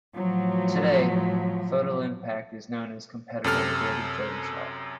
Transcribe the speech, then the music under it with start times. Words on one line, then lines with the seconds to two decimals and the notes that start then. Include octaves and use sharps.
Today, PhotoImpact is known as a competitor of Adobe Photoshop.
0.15 A2 F3 F#3
3.44 F#2 C3 A4 F6